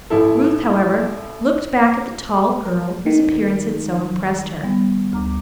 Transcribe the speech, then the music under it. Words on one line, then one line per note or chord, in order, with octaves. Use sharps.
Ruth, however, looked back at the tall girl whose appearance had so impressed her.
A1 E4 A4
A#4
D#3
G3 B3
D2 A#5 D6